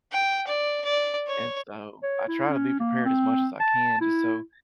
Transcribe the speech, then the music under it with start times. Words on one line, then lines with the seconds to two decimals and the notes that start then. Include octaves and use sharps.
And so I try to be prepared as much as I can just so
0.12 G5
0.47 D5
0.84 D5
1.27 C#5
2.03 C#5
2.28 E4
2.50 C#4
2.80 A#3
3.06 C4
3.60 A5
4.01 E4